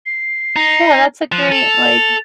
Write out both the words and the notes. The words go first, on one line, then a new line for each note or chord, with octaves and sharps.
yeah, that's a great, like
C7
D#4
F3 F#6
A4 F7